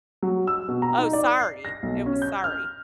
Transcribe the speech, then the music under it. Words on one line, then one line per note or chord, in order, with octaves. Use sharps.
oh, Sorry, it was Sorry.
F#3
E6
B2
A#5
D#4
D5
C7
A#6
B1
C#4
G6
F6